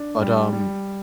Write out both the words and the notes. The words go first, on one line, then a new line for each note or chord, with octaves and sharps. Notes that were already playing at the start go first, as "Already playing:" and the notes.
But, um,
Already playing: D4
G3
G3